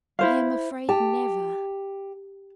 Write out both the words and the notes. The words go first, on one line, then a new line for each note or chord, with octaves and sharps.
I am afraid never....
E4 C5 F5
G4 A5